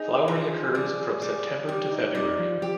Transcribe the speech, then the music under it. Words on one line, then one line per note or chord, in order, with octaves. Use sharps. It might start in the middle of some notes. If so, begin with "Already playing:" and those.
Flowering occurs from September to February.
Already playing: D#4 G#4
F3
G3
G3
G3 G4
D#4
G3 D#4
F3
F3 G4